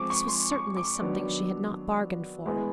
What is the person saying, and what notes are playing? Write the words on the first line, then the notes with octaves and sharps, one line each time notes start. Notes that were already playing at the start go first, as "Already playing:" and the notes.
This was certainly something she had not bargained for.
Already playing: F3 G#3 C4 C#6 D6
C#6
C6
C#6
D6
D#3 F#3 B3 D4
E3 G#3 B3